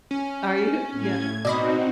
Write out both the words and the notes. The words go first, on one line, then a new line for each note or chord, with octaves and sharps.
Are you? Yeah.
C#4
A2 G#6
B2 C4 D#4 F#4 D5 D#5 B5